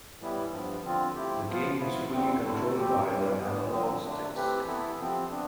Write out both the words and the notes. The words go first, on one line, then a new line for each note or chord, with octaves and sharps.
The game is fully controlled by the analog sticks.
A2 E3 G3 B3 E4
G2 F3 B3
D3 F3 C4 F4
F3 A3 E4 G4
F3 B3 F4
F3 B3 E4
E2 D3 A3 C4
D3 A3 E4 A4
A2 F3 C4 G4
G2 E3 G3
G2 E3 B3
D3 F3 C4
D3 A3 D4
E3 A3 C4 G4 B4
E3 B3 E4 A4
C3 F3 C4
B3 D4